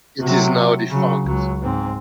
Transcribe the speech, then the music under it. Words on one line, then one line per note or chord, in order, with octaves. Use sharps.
It is now defunct.
C3 F#3
C#3 F#3
C#2 F#3
G#2 C4